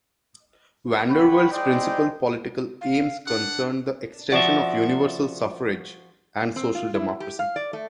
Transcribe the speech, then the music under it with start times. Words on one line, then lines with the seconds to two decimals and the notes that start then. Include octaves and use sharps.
Vandervelde's principle political aims concerned the extension of universal suffrage and social democracy.
1.10 B4 C#5 F#5 G5 B5
1.51 G#3 D#4 E4 C5 D5 G5
2.81 F5
3.27 D4 F#5
4.32 F3 F#4 D5 E5
6.56 C4
6.75 F4
6.94 E4
7.20 G4
7.39 F5
7.56 D5
7.73 A3